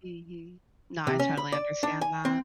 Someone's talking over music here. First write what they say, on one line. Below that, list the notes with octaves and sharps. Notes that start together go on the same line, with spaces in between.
Mhm. No, I totally understand that.
C3
C#4
B5
D5
D4
G#5
C4